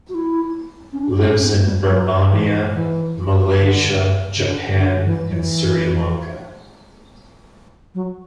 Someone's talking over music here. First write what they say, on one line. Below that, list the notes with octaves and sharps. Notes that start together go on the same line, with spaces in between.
Lives in Birmania, Malaysia, Japan and Sri Lanka.
F#4
E4
C#4
D4
C#4
C#4
B3
A3
G3
F#3
E3
E3
D3
C#3
D3
D3
E3
F#3
E3
F#3